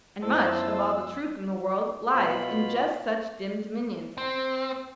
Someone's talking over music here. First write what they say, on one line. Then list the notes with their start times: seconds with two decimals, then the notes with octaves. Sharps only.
And much of all the truth in the world lies in just such dim dominions.
0.22 F#2 B3 E4 F4 C5 A5 E6
2.14 B2 F4 B5
4.18 C4